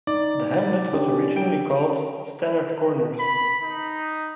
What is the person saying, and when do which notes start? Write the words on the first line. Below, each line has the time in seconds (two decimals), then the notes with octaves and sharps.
The hamlet was originally called Stannards Corners.
0.07 D#4 D5
0.93 C#4 D4 G4
1.36 G5 D7
3.20 B5
3.62 D#4